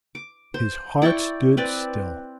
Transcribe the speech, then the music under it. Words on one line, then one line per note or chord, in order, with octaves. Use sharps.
His heart stood still.
D6
C5
E4 D5 G5 C#6
C4 B4 D5